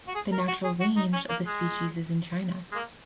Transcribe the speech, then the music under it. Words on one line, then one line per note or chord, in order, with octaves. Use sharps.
The natural range of the species is in China.
F#4
G#4
A#4
F#4
G#4
F#4
D#4
C#4
A#3
G#3
G#3
A#3